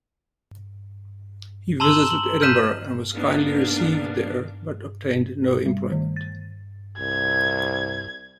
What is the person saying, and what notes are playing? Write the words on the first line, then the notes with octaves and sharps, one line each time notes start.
He visited Edinburgh, and was kindly received there, but obtained no employment.
A5 A#5 C6 E6 G7
E7
F#7
F6 G6 B6 D#7 E7
A#3 B3 D4 D#4 G#4 F5
G3
D#3
A6
C2 G#6